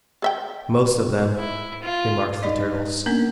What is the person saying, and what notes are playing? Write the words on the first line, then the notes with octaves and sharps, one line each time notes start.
"Most of them," remarked the Turtles.
G#4 E5 G5
E4
F4
D#4 D5 D#5
A#3 B3 C#4 D4 A#4